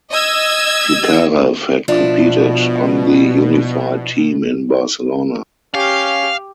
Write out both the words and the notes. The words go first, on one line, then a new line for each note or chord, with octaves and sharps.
Chikarev had competed on the Unified Team in Barcelona.
D#5 E6 G#6
B2 F3 D4 E4
C#4 G4 F5